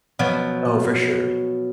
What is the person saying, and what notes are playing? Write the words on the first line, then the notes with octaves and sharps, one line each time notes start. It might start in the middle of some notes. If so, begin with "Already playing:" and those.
Oh, for sure.
B2 F3 F#3